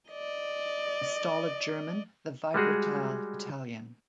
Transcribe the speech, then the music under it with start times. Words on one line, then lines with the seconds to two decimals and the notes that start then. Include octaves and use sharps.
The stolid German, the vibratile Italian!
0.11 D5 D#5
2.54 G3 G#3 F#4 G#4